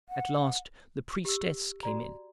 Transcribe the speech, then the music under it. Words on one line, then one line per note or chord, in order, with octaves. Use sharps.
At last the priestess came in.
F#5
G4 E6
F#4 D5 A#5